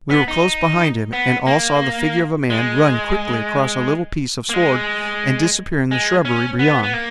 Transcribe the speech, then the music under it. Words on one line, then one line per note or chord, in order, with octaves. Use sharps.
We were close behind him, and all saw the figure of a man run quickly across a little piece of sward and disappear in the shrubbery beyond.
B3
D#4
B3
A#3
G#3
A#3
G#3
G#3
C#4
B3
B3
A#3